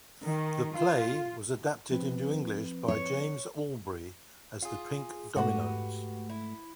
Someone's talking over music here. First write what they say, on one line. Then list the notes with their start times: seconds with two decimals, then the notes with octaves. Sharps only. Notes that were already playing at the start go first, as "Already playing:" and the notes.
The play was adapted into English by James Albery as "The Pink Dominos".
0.23 D#3
0.76 F4
1.91 F3 C4 B4
2.88 C#5
4.62 F4 G#4
5.36 G#2 A3 F#4 G4 B4
6.30 E4